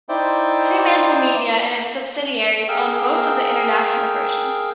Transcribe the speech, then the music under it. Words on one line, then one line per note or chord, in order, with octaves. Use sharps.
FremantleMedia and its subsidiaries own most of the international versions.
D#4 E4 C5 D5 E5 G5
G#4 A#4 F5 G5 E6